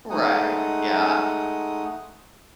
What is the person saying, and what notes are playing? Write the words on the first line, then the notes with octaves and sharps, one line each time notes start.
Right, yeah.
G#3 A3 D#4 F#5 D#6